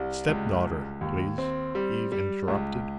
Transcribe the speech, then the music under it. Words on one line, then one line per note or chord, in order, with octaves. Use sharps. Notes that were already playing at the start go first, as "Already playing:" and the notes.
"Stepdaughter, please," Eve interrupted.
Already playing: C2
C#2
C#2
D#2
C4
G3
G3
C#2